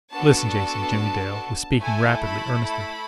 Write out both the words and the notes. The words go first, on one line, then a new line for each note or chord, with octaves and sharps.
"Listen, Jason." Jimmie Dale was speaking rapidly, earnestly.
B3 D4 F#4 A4 A5
A3 E4 A4 G#5
B5
B5